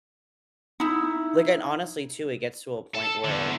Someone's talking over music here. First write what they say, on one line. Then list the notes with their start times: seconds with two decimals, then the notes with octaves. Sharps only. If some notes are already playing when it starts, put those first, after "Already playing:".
like, and, honestly, too, it gets to a point where
0.80 D#4 E4
2.95 A4
3.24 E2 D3